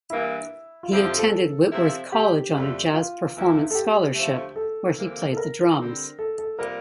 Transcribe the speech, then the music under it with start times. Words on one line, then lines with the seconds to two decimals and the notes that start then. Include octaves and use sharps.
He attended Whitworth College on a jazz performance scholarship, where he played the drums.
0.10 G2 E3 A#3 E4
0.83 F4
0.91 F2 D3 F3 C4 E4 G4
1.05 F4
1.18 A4
1.32 A4
1.72 C3 F3 C4 E4
2.12 G4
2.54 F2 D3 A3
2.94 F4
3.34 E2 E3 A3 E4
3.70 A4
3.75 G4
4.15 D2 D3 F3 A3
4.56 A4
4.96 D2 C3 E3 A#3
5.32 A4
5.37 A#4
5.78 D3 G3 C4
6.19 A4
6.38 A4
6.59 C3 G3 A#3 F4 A#4